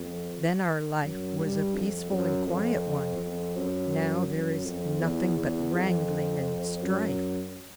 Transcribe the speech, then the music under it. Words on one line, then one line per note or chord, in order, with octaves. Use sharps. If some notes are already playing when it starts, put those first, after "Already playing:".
Then our life was a peaceful and quiet one; now there is nothing but wrangling and strife.
Already playing: F2
F#2
G2
F2
F#2
F2
F2
F#2
F#2
F2
E2
E2
F2
F#2